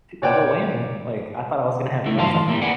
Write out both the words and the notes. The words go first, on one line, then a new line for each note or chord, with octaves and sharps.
double whammy," like, I thought I was gonna have nothing.
A#2 C#5 D5 F#5 G5
C#2 A3 E4
G2 F#3 F5 A5 C6
A2 E3
G3 A#3 E4
G#4 B4 D5 F#5 G#5